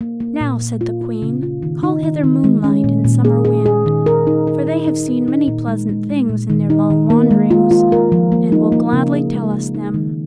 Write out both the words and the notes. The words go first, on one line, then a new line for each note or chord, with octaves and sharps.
"Now," said the Queen, "call hither Moon-light and Summer-Wind, for they have seen many pleasant things in their long wanderings, and will gladly tell us them."
A#3
A#3
A#2
A#2
F4
F4
C#3
F4
D#3
D#4
D#3
D#3
G#3
C#4
A#2
A#2
G#4
G#4
G#4
D#3
A#4
D#4
A#4
D#4
D#4
D#4
D#4
A#2
G#3
G#3
G#3
A#2
D#3
D#4
D#3
A#3
G#3
F4
F4
A#4
F3
A#3
D#4
A#3
C#3
G#4
G#3
C#3
D#4
D#3